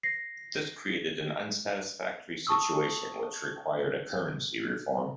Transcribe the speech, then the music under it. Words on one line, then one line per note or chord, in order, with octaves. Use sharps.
This created an unsatisfactory situation which required a currency reform.
A#6 C7
A5 C#6 D#6 E6